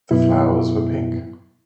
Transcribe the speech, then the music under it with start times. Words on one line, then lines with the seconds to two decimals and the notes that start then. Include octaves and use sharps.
The flowers were pink.
0.11 F#2 B2 B3 E4